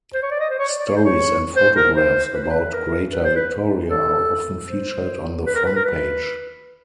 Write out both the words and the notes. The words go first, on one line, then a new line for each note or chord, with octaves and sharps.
Stories and photographs about Greater Victoria are often featured on the front page.
C5
C#5
D5
D#5
C5
C#5
D5
D5
C#5
C5
C#5
C5
A#4
C5
B4
C5
B4
B4
A#4
B4
C5
B4
A4
C5
B4
A#4
B4
A#4
B4